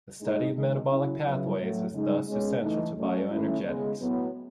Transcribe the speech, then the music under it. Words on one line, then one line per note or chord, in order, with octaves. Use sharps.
The study of metabolic pathways is thus essential to bioenergetics.
A2 G#3 D#4
D#3 G#3 D#4
C#3 F#3 C#4 E4
C#3 F#3 B3 E4
A2 F#3 A3
C#3 G#3 D#4
B2 G#3 C#4
E3 A3 D#4
F#3 A3 C#4
D#3 A3 C#4 E4
C#3 G#3 B3
A2 F#3 B3